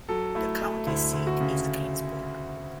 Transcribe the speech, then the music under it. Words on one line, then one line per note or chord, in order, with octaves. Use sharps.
The county seat is Greensburg.
F#3 A4
A3 E4
A3
D2 E4
D2
F#4
C#3